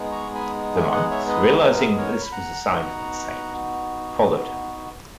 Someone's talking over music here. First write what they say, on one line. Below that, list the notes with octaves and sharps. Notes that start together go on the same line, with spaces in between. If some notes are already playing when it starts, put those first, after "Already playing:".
The monks, realising that this was a sign from the saint, followed her.
Already playing: G#3 B3 D#4 G#4
A#5 C#6
G#5 B5
E5 G#5
D#5 F#5
C#5 E5
B4 D#5
B4
A#4
E5
D#5
A#4 C#5
B5
F#5 A#5
B3 D#4 F#4